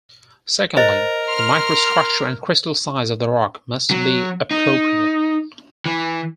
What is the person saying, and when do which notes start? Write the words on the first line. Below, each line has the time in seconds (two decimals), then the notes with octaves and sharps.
Secondly, the microstructure and crystal size of the rock must be appropriate.
0.77 A#4 C5 D#5
1.28 C6 F6
3.91 F#3
4.51 D#4
5.86 E3